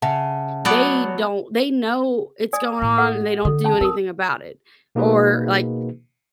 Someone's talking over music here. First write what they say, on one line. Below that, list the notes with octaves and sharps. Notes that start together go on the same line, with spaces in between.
they don't they know it's going on and they don't do anything about it, or, like,
C#3 E5 F#5 A5
F#3 A3 B3 D5
D5 G#5 D#6
A2
A4 F#5
D3 A4
C#4 A5
C4 A#4 D#6
B2 A#3 D#4 F#4 G#4 B4